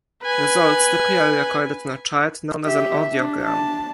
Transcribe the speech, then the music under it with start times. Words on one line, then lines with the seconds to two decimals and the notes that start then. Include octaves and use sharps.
Results typically are recorded on a chart known as an audiogram.
0.23 B4 G#5
2.64 G4 E5
3.13 D4
3.45 D4 A5